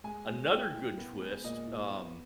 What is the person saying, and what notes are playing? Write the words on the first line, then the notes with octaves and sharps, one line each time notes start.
Another good twist, um,
G#3 G#5
G#3
E4 G5
E4
B3
G#3
A#2 D#5
E4
B3